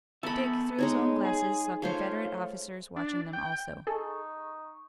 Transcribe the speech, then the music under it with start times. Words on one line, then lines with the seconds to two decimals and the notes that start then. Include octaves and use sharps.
Dick, through his own glasses saw Confederate officers watching them also.
0.23 B3 A4 E5 A5 B5
0.79 G#3 D#4 C#5
1.25 G#4
1.82 A3 F4 C5 C#5 F5
2.96 D4
3.33 G5
3.87 D#4 G#4 A4 C#6